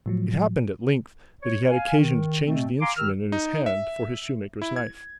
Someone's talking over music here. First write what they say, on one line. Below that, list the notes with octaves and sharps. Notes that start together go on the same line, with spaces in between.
It happened, at length, that he had occasion to change the instrument in his hand, for his shoemaker's knife.
A2 F3 F#3
C#5
F5 G#5
D#3
B2 A3 C4
F5 G#5 A#5 C6 D6
D#3 G4 A#4 E6 F6
D#4
E5
E4
G#6